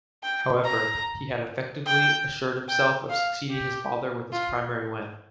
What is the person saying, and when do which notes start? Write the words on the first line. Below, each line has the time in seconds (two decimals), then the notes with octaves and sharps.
However, he had effectively assured himself of succeeding his father with his primary win.
0.23 G5
0.64 A#5
1.86 G5
2.68 G5
3.09 F5
3.50 G4
4.32 F4